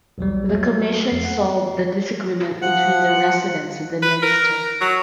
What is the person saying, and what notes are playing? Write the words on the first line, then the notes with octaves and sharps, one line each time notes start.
The commission solved the disagreement between the residents and the minister.
B1 E2 F#3 G3
F#3 A3
F2 C7
F#5
F3 F#5
B4
A#4
F#3